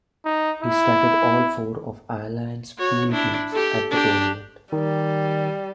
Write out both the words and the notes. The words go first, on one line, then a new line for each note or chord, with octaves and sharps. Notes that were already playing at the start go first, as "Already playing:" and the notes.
He started all four of Ireland's pool games at the tournament.
D#4
E4
F#4 C#5
D4 E4
G4 A4
D4 G4
D#3 G3